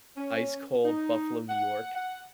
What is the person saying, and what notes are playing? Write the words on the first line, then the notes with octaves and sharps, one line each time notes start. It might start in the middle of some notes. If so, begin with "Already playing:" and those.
ice cold Buffalo, New York.
C#4
D#4
F#5
F#5